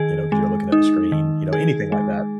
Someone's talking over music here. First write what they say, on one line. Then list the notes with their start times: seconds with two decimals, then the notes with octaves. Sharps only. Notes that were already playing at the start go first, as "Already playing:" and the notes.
you know, 'cause you're looking at the screen, you know, anything like that.
Already playing: D#3 G#4
0.32 G#3
0.72 D#4
1.12 D#3
1.53 G#4
1.92 G#3